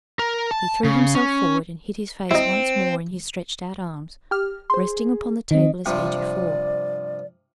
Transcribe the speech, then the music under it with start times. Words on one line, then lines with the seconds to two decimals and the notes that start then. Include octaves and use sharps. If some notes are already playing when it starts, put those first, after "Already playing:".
He threw himself forward, and hid his face once more in his stretched-out arms, resting upon the table as heretofore.
0.19 A#4
0.51 A5
0.84 C#3
1.15 C#4
2.31 C4 D#4 E4
4.31 G4 F6
4.70 G#4 C5 C6
5.51 D#3 C4 D#5
5.86 G2 C3 F3 D5